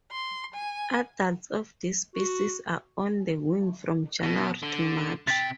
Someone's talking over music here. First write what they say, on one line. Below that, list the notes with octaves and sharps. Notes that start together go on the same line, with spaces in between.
Adults of this species are on the wing from January to March.
C6
G#5
F#4
B2
D3
C3 G5 A6 B6